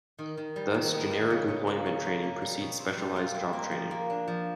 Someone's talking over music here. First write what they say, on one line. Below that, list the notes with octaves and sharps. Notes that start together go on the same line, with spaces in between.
Thus, generic employment training precedes specialised job training.
D#3
D#3
G3
D#3
B3
D#3
C#3
C#4
A#3
C#4
C#4
A#3
G3
B2
C4
G3
F4
C4
A#3
F3
A#3
D4
F3